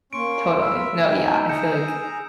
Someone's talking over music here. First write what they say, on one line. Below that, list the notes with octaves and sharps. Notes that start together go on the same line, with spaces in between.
Totally. No, yeah, I feel like
A#3 C#4 C6 C#6 D7
E5 B5 E6 F6
D#4 D#5 G5 G#5
G#4 G#5 A#5 G6 C#7 E7